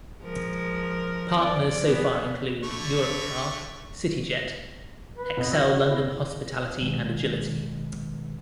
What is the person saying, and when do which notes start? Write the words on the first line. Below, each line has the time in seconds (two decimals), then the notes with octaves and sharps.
Partners so far include Europcar, CityJet, ExCeL London Hospitality and Agility.
0.22 F3 G#3 A#4
1.35 F2 D5
1.85 B3 G#4
2.64 D3 A3 C#6
5.16 B4
5.37 F1 B3 D#5
5.52 F#4 E6 A#6
5.88 B2 C4 E4
6.81 B2 D#3 G#3